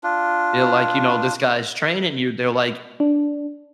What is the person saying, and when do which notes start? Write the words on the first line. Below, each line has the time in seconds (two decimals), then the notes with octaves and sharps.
they're like, "You know, this guy's training you." They're like,
0.03 D4 F4
3.00 D4